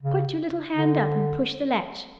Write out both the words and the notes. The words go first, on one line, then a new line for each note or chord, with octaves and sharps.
Put your little hand up and push the latch.
C#3
D3